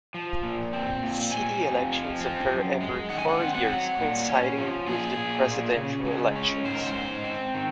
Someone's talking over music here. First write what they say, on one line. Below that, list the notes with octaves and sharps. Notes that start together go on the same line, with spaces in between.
City elections occur every four years, coinciding with the presidential elections.
F3
A#2
C4
A#2
C3 G#5
F2
F3
C4
F#2
G#3
D#3 F#5
G#5
F#5
C4
F#5
F#3
A#2
C#4
F3
A#2 G#4
A#2
A#2
C#3
G#3
C#4
G#2 C5
A#4
C5
G#2
C4
D#3